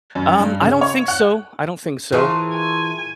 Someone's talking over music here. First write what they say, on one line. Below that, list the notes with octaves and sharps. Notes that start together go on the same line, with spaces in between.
um I don't think so, I don't think so.
F#2
G2
C#3
C#5
F#5
A#2 E3 G#4 A5 C6 C#6
G#5